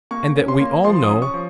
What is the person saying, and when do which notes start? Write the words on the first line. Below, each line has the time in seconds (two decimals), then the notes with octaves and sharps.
And that we all know.
0.11 A#3 C#6
0.36 C#4
0.48 C6
0.60 A#3
0.84 F3 C6
1.03 D#6
1.09 C#4
1.22 C#6
1.34 F3